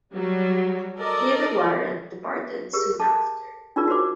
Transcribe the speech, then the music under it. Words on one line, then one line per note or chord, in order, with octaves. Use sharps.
David Warren departed soon after.
F#3 G3
A4 A#4 D5 D#5
G4 G#4 A#4
A4 A5
D4 D#4 F4 G#4 A#4 D5
F#4 A#4 C5 D6